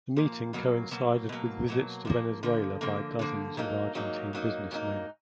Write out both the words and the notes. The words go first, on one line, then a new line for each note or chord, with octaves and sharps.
The meeting coincided with visits to Venezuela by dozens of Argentine businessmen.
A#2 F3 A#3
B2 F#3 A#3
B2 F#3 A#3
B2 F#3 A#3
B2 F#3 A#3
D3 F3 A#3
D3 F3 A#3
D3 F3 A#3
D3 F3 A#3
G#2 F#3 A#3 D#4
G#2 F#3 A#3 D#4
G#2 F#3 A#3 D#4
G#2 F#3 A#3 D#4